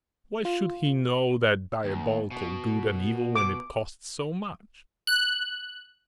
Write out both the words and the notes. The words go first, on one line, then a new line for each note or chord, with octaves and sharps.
Why should he know that diabolical good and evil when it costs so much?
F4
D#2
B2
D6
F#6